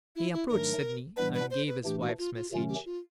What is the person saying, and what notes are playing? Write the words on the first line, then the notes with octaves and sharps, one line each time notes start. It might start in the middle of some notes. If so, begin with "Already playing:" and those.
He approached Sydney, and gave his wife's message.
E4
E4
G#2 D#3 F#3 A3 D4 A#4
A2 E3 G3 B3 D4 B4
B4
C5
B4
A2 E3 A3 D4 G4
F#4
F4
F4
C3 D#3 F#3 A3 C#4 F4
G4
F4